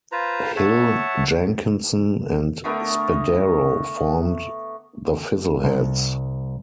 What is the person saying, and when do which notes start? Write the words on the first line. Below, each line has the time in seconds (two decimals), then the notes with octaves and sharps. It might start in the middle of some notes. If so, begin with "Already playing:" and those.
Hill, Jenkinson and Spadaro formed The Fizzleheads.
0.12 F4 B4 C5 A#5
0.56 C#5 E5 F#5 A5
2.64 D3 A3 B3 A#4
5.64 C2